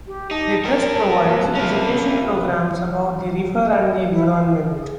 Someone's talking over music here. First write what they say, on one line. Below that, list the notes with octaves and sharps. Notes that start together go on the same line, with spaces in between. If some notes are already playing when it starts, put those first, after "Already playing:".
The Trust provides education programs about the river and the environment.
G4
D#4 A5
F#4 A#4
C3 A#3 B4
C#4 F4
D#5
C#5
E4
F5
G#4